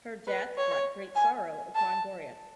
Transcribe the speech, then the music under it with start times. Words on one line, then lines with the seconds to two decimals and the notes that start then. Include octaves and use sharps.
Her death brought great sorrow upon Doriath.
0.27 B4
0.58 C#5
1.16 G#5
1.76 A5